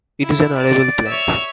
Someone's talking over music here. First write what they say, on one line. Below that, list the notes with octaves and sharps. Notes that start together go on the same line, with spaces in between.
It is an arable plant.
E4
D5
C#5 E5